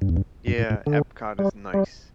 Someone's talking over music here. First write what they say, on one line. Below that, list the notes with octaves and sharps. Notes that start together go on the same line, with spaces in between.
Yeah, Epcot is nice.
G2
E2
G2
G2
A2
A2
D3
G3
G3